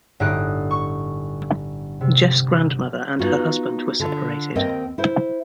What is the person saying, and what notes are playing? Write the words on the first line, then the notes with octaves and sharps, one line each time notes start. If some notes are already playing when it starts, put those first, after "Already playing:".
Jeff's grandmother and her husband were separated.
G1 A2 D#4 D#6 F#6 D7
C#6
C3
B3 D#4 F4 F#4
D3 F4
D#2 C4 A#4 D#5 G5
E4 C5